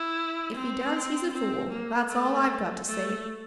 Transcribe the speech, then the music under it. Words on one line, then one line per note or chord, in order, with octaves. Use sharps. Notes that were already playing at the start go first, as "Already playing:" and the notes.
If he does, he's a fool; that's all I've got to say.
Already playing: E4
C4
C4
A#3
A3
A3